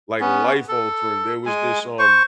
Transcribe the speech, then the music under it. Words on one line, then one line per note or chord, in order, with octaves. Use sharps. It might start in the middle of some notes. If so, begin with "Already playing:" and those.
like, life altering, there was this, um
B3 C#4
A4
G#3 G#5
C5 C#6